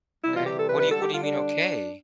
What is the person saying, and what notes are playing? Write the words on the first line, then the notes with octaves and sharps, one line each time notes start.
Okay, what do you what do you mean, okay?
C3 E3 G3 E4
F4
G4
A4
B4
B4
D3 G3 A4
G4
F4
D4